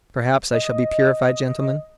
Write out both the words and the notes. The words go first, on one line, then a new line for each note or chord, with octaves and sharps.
Perhaps I shall be purified, gentlemen?
D#5